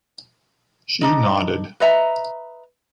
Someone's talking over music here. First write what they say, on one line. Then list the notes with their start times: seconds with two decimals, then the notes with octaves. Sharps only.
She nodded.
1.01 D4 D#4 D#5
1.80 B4 D#5 E5 A#5